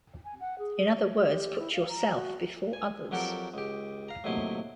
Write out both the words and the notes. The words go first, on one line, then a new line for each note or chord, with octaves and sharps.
In other words, put yourself before others.
G#5
F#5
G#4
C#5
G4
E4
F5
A#5
F#4
G#5
F2 F#3 F#4 G4 A4 A#4
C#2 G4
F5 A#5
D#2 A2 C3 F#3 E4